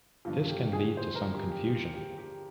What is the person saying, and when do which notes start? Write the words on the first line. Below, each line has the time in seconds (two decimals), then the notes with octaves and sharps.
This can lead to some confusion.
0.25 G1 G2 F3 F4
0.49 G4
0.73 G#4
0.97 C5
1.15 A#4
1.33 G4
1.52 G4
1.69 G4
1.94 G4
2.18 G4